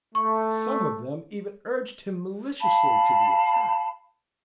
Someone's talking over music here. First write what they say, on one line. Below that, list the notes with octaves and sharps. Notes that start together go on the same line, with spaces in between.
Some of them even urged him maliciously to the attack.
A3 C#6
F5 A5 B5